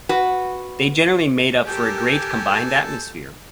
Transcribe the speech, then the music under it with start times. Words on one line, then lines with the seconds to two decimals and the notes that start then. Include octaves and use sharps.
They generally made up for a great combined atmosphere.
0.09 F#4 B4
1.67 G4 A4 A#4 G#5 G6